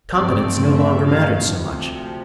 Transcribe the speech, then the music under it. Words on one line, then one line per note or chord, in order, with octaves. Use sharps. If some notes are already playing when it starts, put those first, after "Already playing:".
Competence no longer mattered so much.
G2 F3 A3 C4 D5
E5
F5
D2 C3 F3